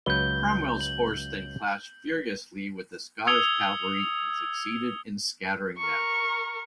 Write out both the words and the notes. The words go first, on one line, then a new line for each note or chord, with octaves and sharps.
Cromwell's horse then clashed furiously with the Scottish cavalry and succeeded in scattering them.
C#2 F#3 B4 G6 G7
F#7
D#6 E6 G#6 C#7 F7 G7
A#4 C#6